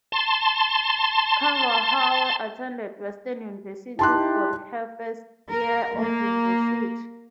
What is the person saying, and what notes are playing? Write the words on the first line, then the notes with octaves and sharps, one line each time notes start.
Carvalhal attended Western University for her first year of University.
A5 C6
D#4 E4 G4 A5 C6 F#6
A#4
A#3